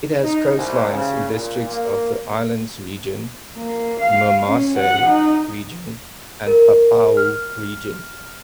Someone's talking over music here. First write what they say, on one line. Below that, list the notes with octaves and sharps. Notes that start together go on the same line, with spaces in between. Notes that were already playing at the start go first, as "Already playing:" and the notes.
It has coastlines in districts of the Islands Region, Momase Region, and Papua Region.
D#4
C2
C#3
A#2
A#3
A#3
F5
C#4
F#5
D#4
A#4
F6